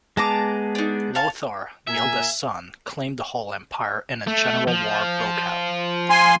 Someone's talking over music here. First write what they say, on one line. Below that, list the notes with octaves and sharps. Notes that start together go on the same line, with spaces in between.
Lothar, the eldest son, claimed the whole empire and a general war broke out.
G#3 B3 G#4 A5 A#5 D6
D4 D#4
C#5 F5 A5
A#2 A#4 E5 G#5
A3
F3
G#5 C6